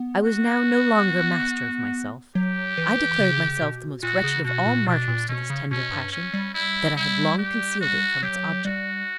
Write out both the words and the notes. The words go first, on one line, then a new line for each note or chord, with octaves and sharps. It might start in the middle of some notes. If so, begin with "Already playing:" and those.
I was now no longer master of myself; I declared myself the most wretched of all martyrs to this tender passion; that I had long concealed it from its object.
Already playing: B3
F#4
F#3 G4
E3
C#3
B2
A#2 F#4
C#3
B2 F#4
A#2
B2 D4
A#2
B2 C#4
C#3
B2 C#4
G2
C#4
G3
E4
E4
G4
F#4
F#3 G4
G3 F#4